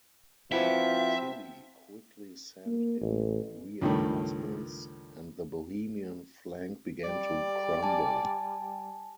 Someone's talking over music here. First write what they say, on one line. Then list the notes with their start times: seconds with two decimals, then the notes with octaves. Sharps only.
Tilly quickly sent in reinforcements, and the Bohemian flank began to crumble.
0.52 F3 C4 E4 F#4 B4 E5
2.67 A#3
3.01 A1
3.81 C#2 G2 D#3 A3
7.04 G3 D5
7.83 G#5 A5